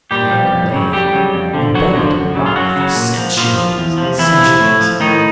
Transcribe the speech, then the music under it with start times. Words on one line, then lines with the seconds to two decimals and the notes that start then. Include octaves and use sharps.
There it lay, imbedded in the rock for centuries and centuries.
0.11 A#2 G3 G4
0.31 F3
0.53 F2
0.73 C#3 F#3
0.92 F2 G3 G4
1.13 C#3 F#3
1.34 F2
1.54 D3 F3
1.74 F2 F#3 F#4
1.95 D3 F3
2.14 F#2
2.35 C#3 F#3
2.46 F4
2.56 F#2 F#3 F#4
2.76 C#3 F#3
2.96 A#2
3.17 F3
3.37 A#2 F3 F4
3.58 F3
3.78 E2
3.98 C3 F3
4.18 E2 E3 E4
4.38 C3 F3
4.60 A2
4.80 F3
5.00 A2 D#3 D#4